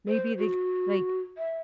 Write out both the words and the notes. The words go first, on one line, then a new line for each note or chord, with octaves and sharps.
maybe they c like,
C5
F#4
E5